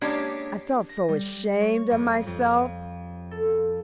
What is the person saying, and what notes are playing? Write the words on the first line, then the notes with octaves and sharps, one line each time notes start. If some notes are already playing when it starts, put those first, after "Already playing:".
I felt so ashamed of myself.
G#3 A#3 C#4 D4 G4 C#5
A#6
G3
C#5
F2
F2
A4